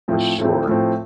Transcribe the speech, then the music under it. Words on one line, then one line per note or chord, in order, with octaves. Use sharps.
For sure.
A2 F3 A3 C4
A2 F3 A3 C4
A2 F3 A3 C4